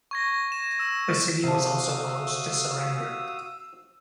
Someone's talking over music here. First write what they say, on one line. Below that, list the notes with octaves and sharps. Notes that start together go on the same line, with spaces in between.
The city was also close to surrender.
C#6 G#6 A#6
E7
E6 E7
C3 F#4 C5 F5 A5 D#6 E6